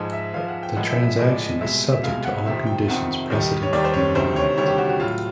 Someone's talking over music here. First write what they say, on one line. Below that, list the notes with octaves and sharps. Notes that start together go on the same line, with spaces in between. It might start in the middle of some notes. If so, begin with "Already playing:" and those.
The transaction is subject to all conditions precedent being met.
Already playing: G#2 F3 G#3 D#5
E5
G#2 F3 G#3 F5
F#5
G5
A2 F3 G#3 F#5
E5
E5
A2 F3 G#3 D#5
D5
D#5
C2 B2 G#3 E5
E5
C2 B2 G#3 F5
F#5
F2 C3 D#3 E5
G5
F2 C3 D#3 F#5
D#2 D#3 G3
C#5
D#2 D#3 G3 D5
C5
C#5
D2 C3 D#3 G3 C5
C#5
D2 C3 D#3 G3 C#5
G4
F#4
F#4
A2 F#3 F4